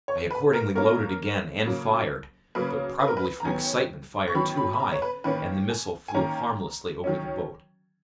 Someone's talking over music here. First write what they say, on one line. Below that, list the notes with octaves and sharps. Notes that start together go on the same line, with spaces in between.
I accordingly loaded again, and fired; but, probably from excitement, fired too high, and the missile flew harmlessly over the boat.
C#5
B4
A#4
B2 A#3 C#4 A#4
C#3 F#3 A#3
C#3 F#3 A#3 B4
B4
A#4
B4
A#5
D#3 F#3 B3 G#5
C#6
D#3 F#3 B3 B5
B5
B5
A#5
C#5
B4
D#3 A#3 C#4 B4
G#5
G#5
D#3 A#3 C#4 A#5
D#3 F#3 C#4